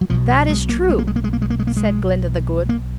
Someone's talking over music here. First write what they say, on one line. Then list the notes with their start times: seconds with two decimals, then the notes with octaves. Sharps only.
"That is true," said Glinda the Good.
0.01 F#3
0.10 B1 B2 F3
0.30 F#3
0.50 G#3
0.69 A#3
0.89 G#3
0.99 A#3
1.07 G#3
1.16 A#3
1.24 G#3
1.33 A#3
1.42 G#3
1.50 A#3
1.59 G#3
1.67 A#3
1.77 G#3
2.69 A#3